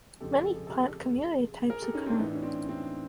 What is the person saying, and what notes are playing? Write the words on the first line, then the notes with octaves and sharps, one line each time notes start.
Many plant community types occur.
F2 C#3 F3 G4 A4
A4
G#4
G4 A4
G#4 A#4
G4 A4
C#4 D#4
C4 D4
A2 E3 D#4
D4
C#4
C4 D4
C4 D4